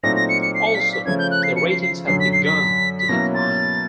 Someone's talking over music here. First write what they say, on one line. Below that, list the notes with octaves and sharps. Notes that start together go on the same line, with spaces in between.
Also, the ratings had begun to decline.
A#2 F#3 A3 C4 D#4 A#6
A#6
C#7
C#7
C7
C#7
B6
C7
B6
C#3 F3 A3 C#4 G#6
G6
F#6
C7
C#7
C7
C7
F#2 D3 F#3 C7
B6
C7
B6
B6
B2 F#3 A#3 C#4 E4 A#6
A6